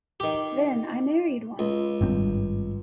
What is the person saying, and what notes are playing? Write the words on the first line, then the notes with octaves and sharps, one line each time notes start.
Then I married one!
D#3 G4
C#2
G#1 G2 C4